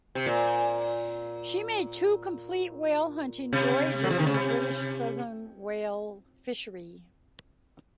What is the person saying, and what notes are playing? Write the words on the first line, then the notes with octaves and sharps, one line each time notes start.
She made two complete whale hunting voyages in the British Southern Whale Fishery.
C3
A#2
C3
F#3
F3
D#3
C#3
C3